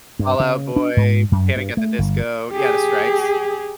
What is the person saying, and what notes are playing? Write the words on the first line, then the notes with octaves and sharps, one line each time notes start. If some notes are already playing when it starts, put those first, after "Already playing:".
Fall Out Boy, Panic at the Disco? Yeah, The Stripes.
G2
C#3
D4
G#2
F#2
G2
A3
G1
G4 G#4